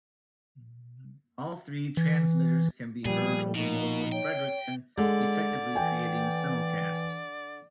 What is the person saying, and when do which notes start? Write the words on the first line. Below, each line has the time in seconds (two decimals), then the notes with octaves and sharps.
All three transmitters can be heard over most of Fredericton, effectively creating a simulcast.
1.97 E3
3.06 A#2 F3 G3 G#4
3.55 B2 A#3 D#4
4.12 C#5 G5
4.98 D3 G#3 D5
5.75 E3 G5 G#5